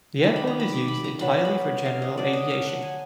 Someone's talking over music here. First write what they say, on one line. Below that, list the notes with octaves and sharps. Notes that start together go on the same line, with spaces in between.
The airport is used entirely for general aviation.
D#3 A#3 D4 B5
B5
A#5
B5
D6
B5
A#5
B2 F#3 D4 B5
B5
F5
D#5
D3 F#3 D4 D5
D#5
F5
F#5
G#5